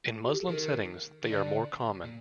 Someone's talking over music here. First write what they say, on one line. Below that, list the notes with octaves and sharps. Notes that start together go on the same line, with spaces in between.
In Muslim settings they are more common.
F#4
G4
A4
D#3 A#4
D#3
D3 D5
A#2